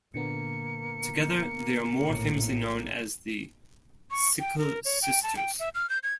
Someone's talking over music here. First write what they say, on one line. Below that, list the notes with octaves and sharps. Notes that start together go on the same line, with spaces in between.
Together they are more famously known as the Sikkil Sisters.
A#2 D3 A#3 B3 C#7
A#1 A2
C#6
G5
A#4
C#5
G5
A5
G5
E5
F6
G6
G#6